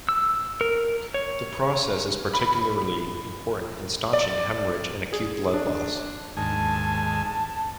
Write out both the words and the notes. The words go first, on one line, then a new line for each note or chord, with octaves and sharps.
The process is particularly important in staunching hemorrhage and acute blood loss.
E6
A#4
C#5
B5
D5
G#4
D4
D#2 G#2 G#5 A5